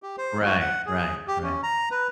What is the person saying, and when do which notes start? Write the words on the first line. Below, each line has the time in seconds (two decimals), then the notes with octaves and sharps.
Right, right, right.
0.03 G4
0.18 C5
0.45 F#4
0.60 F#5
0.86 G#4
1.28 G4
1.43 C#4
1.63 A#5
1.91 B4